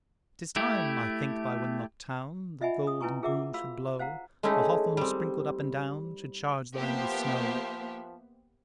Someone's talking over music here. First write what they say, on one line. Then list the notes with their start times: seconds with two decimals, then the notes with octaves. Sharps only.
'Tis time, I think by Wenlock town The golden broom should blow; The hawthorn sprinkled up and down Should charge the land with snow.
0.56 A3 E4 G4
2.61 F4 D#5 E5 F#5 G#5 B5
2.87 D#6
3.01 C#4 E4 B4 G#5 A#5 C#6
3.22 F4 G#4 A#4 E5 F#5 D6
3.54 F#4 F5 B5 E6
3.99 C5 F5 F#5 A#5
4.43 G#3 A3 C#4 D#4 E4
4.97 G3 C4
6.78 F3 A#3 B3 G4 C5 E5 F#5